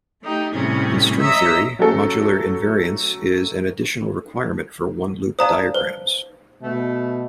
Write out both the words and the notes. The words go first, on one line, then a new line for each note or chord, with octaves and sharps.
In string theory, modular invariance is an additional requirement for one-loop diagrams.
A3 D#4 G4
A2 C3 G3 C#4 G#4
C#5 D#5 E5 A#5 E6
F#3 A3 C#4 A4
C5 D5 F5 A5 A#5 D#6
B4 C5
B2 A3